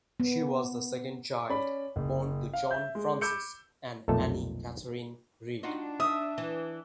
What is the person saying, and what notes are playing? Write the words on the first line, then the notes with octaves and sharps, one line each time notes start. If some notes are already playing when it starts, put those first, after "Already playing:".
She was the second child born to John Francis and Annie Catherine Reid.
B3
C#4 D5 B5
F#1
F5
E5 G6
G#3
B5 D6 E6 G6 C#7
B1 F2 A#2 A3 A4 A5
D4 D#4 F4 F#4
E5 D#6
E3